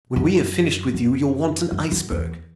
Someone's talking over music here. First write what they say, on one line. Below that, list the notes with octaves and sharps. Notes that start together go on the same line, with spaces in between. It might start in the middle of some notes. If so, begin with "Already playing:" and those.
When we have finished with you, you'll want an iceberg.
F#2
F#2
F#2
F#2
E2